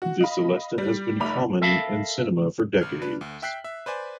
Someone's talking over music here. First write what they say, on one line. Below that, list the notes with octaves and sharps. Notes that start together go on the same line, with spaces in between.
The celesta has been common in cinema for decades.
F#4
D#5 F5 B5
G3
F1 A3 D#4 B5 D6 F7
A4 A#4 E5 F5 A5 B5
G#1 F6
D4 B4
D2
E5 G5 F#6 B6 C7
E5
B4 C5 D5 G#5